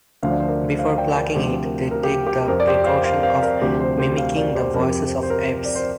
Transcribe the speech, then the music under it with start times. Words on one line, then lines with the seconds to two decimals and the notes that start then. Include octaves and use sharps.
Before plucking it they take the precaution of mimicking the voices of apes.
0.23 D2 D3 F3 F5
0.31 D5
0.40 C5
0.48 A#4 D5
0.79 C5 F5
0.98 D5 G5
1.16 A#4 D5
1.28 A#4
1.35 D2 C3 F3 G4 C5
1.64 A#4
1.91 A#4
2.04 G4
2.27 G4
2.48 F2 F3 A#4
2.60 D5
2.67 G4 C5
2.85 C5 F5
3.04 C5 F5
3.23 C5 F5
3.43 A#4 D5
3.61 D2 C3 F3 G4 C5
3.80 G4 C5
3.98 G4 C5
4.18 C5 F5
4.36 A#4 D5
4.55 G4 C5
4.74 F2 C3 F3 A#4
4.82 G4
4.89 A#4
5.23 C5
5.30 A#4
5.65 D5
5.75 C5